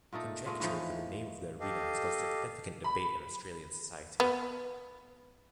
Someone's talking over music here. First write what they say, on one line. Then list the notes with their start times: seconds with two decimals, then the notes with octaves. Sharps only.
Conjecture over the name of the arena has caused significant debate in Australian society.
0.12 A#2 A3 D#4 A4
0.46 A#2 G#3 A3
0.60 A2 E3 F3 D#4
1.60 G4 A4 D#5 F5
2.84 B5
4.20 B3